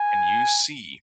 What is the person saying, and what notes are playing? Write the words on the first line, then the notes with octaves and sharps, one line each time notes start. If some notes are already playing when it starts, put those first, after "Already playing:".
and you see,
Already playing: G#5